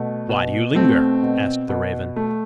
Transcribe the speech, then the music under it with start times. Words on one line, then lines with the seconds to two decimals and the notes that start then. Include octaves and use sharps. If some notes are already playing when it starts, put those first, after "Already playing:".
"Why do you linger?" asked the raven.
Already playing: B2 A3
0.29 B2
0.75 A3 C4
1.23 B2
1.69 B2
2.16 A3